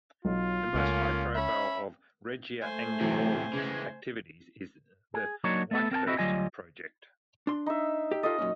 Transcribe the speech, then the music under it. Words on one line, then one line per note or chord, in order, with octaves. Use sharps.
The most high-profile of Regia Anglorum's activities is the Wychurst Project.
B1 F#3 F4
C#2 A3 A#3 C#4 F#5
C#4 E5 B5
A3 C5 G#5
A2 C3 E3 F#3
C#3 E3 G#3 G#6
G#4
F#3 A#3 D4 D#4 C#5
A3 B3 A4
C4 A#4 G5 A5
C4 E4 F#4 D#5
D2 F#3 G3 F4 D#5 G#5
D4 C6
D#4 E5
G4
F4 G4 A4 D#5
F#2 A#2 C#4